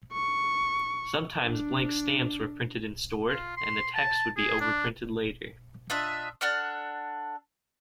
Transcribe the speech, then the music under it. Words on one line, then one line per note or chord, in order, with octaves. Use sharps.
Sometimes blank stamps were printed and stored, and the text would be overprinted later.
C#6
D4
F4
C6
A5
G#4
D4
D4 F4 D#5 E5
D4 A4 F#5 F6